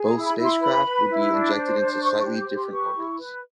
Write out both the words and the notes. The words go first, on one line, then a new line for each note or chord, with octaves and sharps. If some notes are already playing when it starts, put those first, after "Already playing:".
Both spacecraft would be injected into slightly different orbits.
Already playing: G#4
A#5
E4
B5
E4
C6
B4 B5
B4
E4
D4
C5
D4
C5 C#6
C6
C#6
G4
D6
G4
C6
B4 C#6
E4
B4